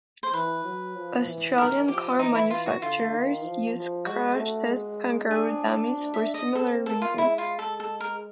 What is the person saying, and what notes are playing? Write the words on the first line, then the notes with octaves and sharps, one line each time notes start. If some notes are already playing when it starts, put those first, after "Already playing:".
Australian car manufacturers use crash test kangaroo dummies for similar reasons.
C5
E3 B4
F#3
F3
E3
D#3 A#4
F3 G4
E3 D#4
E4
F4
F#4
D3 F4
D#3
F3
F3
G#3 F#4
A3
G#3
D4 G#4
E5
D#5
C4 A4
A#3 A4
F4
G#3 E4
F4
A4
A4
A#4